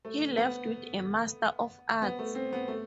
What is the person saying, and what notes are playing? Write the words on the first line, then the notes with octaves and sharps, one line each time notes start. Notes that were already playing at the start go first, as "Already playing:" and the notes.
He left with a master of arts.
A3
B3
B3
A3
C4
B3
A3